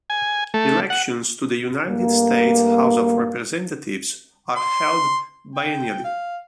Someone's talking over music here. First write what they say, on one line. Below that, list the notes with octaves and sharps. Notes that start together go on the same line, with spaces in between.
Elections to the United States House of Representatives are held biennially.
G#5
A3
F#5
G2 A3 A#3
C6
G5
F5